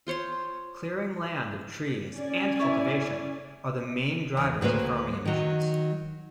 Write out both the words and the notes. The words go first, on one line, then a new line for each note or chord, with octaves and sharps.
Clearing land of trees, and cultivation, are the main drivers of farming emissions.
F4 C5 C#5 C6
C#4 D5 G#5
E4 C#5
E2
D2 F#3 A#3 B4 C5
D#3 F#3